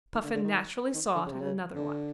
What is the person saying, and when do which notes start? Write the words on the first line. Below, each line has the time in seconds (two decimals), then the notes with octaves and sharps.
Puffin naturally saw it in another light.
0.14 D#3
0.24 D3
0.34 D3
0.44 D#3
0.95 D#3
1.15 D3
1.26 C#3
1.32 C3
1.40 C#3
1.76 D3